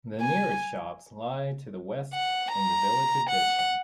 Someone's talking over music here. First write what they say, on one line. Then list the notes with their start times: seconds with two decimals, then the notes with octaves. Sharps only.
The nearest shops lie to the west in the village of Ditchling.
0.21 G#5
2.14 F#5
2.52 A#5
3.30 F#5